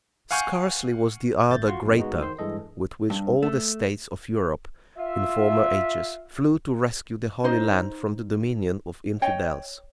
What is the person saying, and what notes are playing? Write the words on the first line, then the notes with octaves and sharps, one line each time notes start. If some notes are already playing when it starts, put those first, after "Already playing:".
Scarcely was the ardor greater, with which all the states of Europe, in former ages, flew to rescue the Holy Land from the dominion of infidels.
F5 F#5 G#5 C#6 F6 G6
G#1 A3 G6 A6
F4 F#4 C6 C#6
A#1 F#2 B2
G#3 B3 D#4 F#4
D#3 C5 C6
G2 E3 G#3 A4 D#5
G2
A3
F4 E5
D#4 C5 D#5
C#5 D#5 G5